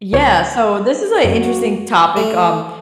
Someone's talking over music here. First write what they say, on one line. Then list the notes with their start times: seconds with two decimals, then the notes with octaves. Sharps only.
Yeah, so, this is a interesting topic, um,
0.13 C#2 C#5
1.24 F#2 A#3 F#4
2.17 A3